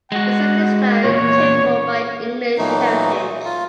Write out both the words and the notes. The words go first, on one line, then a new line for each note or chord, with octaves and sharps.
The site is now cared for by English Heritage.
G#3 F#4 F#5
E2 A#2 C#5
A#2 E3 F#3 A3 D#4
F4